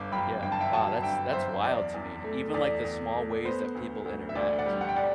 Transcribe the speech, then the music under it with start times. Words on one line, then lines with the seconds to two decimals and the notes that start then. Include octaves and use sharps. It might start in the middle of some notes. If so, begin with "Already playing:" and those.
yeah, wow, that's, that's wild to me, even like the small ways that people interact, you know?
Already playing: G1 D6
0.12 F#2 G5 B5
0.43 G1 G5
0.52 A5
0.61 E5 G5
0.73 F#3 F#5 A5
1.03 G1 E5 G5
1.33 F#2 C5 E5
1.63 E2 D5
1.94 E2
2.24 A3
2.54 E2 D5
2.84 E2
3.15 A3
3.45 B3 C5
3.75 D2
4.05 D2
4.29 E5
4.35 D2 D5
4.59 D5 F#5
4.66 G3
4.81 F#5
4.89 G5
4.96 D5 F#5